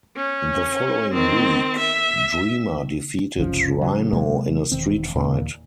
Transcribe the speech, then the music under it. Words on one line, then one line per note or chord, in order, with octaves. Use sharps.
The following week Dreamer defeated Rhino in a Street Fight.
C#4
D#3 C4
E5
F#1 C2 F3 C#4
C#3 F#3
C3 F#3 G#3 A#3
E1 D#3 C4
D#2 A#2